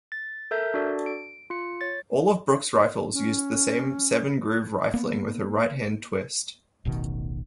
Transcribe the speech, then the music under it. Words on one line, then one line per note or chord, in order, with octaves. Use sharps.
All of Brooke's rifles used the same seven-groove rifling with a right-hand twist.
A6
A4 A#4 E5 G6
D4 F#4 A4 D5
D7
F4 C#7
C#5 A6
C#4
A#3 B3
D1 A1 B2 D#3